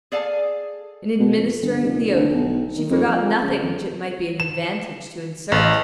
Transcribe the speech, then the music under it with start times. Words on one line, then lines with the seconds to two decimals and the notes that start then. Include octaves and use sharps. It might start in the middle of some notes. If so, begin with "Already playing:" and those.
In administering the oath, she forgot nothing which it might be an advantage to insert.
0.12 G#4 A4 D5 F5 G#5 A5
1.20 B2
1.37 F2
1.62 G1
1.82 F1
2.14 D2
2.33 B1
2.77 D#3
2.90 F2
3.09 F3
3.42 C#3
3.62 F2
4.40 E7
5.52 A1